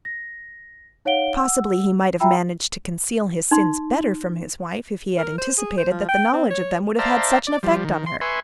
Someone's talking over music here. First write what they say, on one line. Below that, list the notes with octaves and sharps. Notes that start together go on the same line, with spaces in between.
Possibly he might have managed to conceal his sins better from his wife if he had anticipated that the knowledge of them would have had such an effect on her.
A#6
D#4 C#5 F5 F#5 D7 G7
F#5 E6
F4 E5 G5 A#5 B5 E6
D#4 C6
A#4
C5
G#4
C5
F3
G5
C4
C#5
C5 D5 E5 F5 A5 A#5
D5
F3 G3
D#3
C6
B4 E5 G#5 C6 C#6